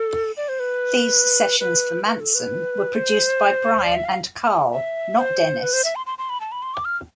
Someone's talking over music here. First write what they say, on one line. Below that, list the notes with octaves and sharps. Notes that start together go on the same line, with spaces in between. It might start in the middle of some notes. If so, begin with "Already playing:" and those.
These sessions for Manson were produced by Brian and Carl, not Dennis.
Already playing: A4
D5
C5
B4
B4
B4
A4
B4
C5
D5
E5
F5
E5
C5
B4
C5
E5
C6
C6
C6
B5
A5
B5
C6
D6
F6